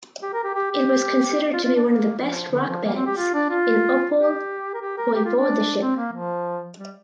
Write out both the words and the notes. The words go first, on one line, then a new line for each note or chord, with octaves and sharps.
It was considered to be one of the best rock bands in Opole Voivodeship.
G4
A#4
G4
G4
G4
F4
F4
D4
A#3
F3
D3
F3
A#3
C4
G4
F4
D4
F4
G4
A#4
G4
A#4
G4
F4
D4
C4
A#3
F3
G3